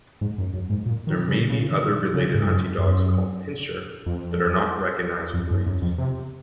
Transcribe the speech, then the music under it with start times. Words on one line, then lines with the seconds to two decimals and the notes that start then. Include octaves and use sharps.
There may be other related hunting dogs called "pinscher" that are not recognized breeds.
0.21 G#2
0.38 F#2
0.54 F#2
0.70 G#2
0.86 A#2
1.07 D#3
1.29 C#3
1.50 C#3
1.71 D#3
2.14 C#3
2.35 G#2
2.46 F#2
2.78 F#2
4.06 F2
5.34 F2
5.51 F#2
5.67 F#2
5.82 F2
5.98 C3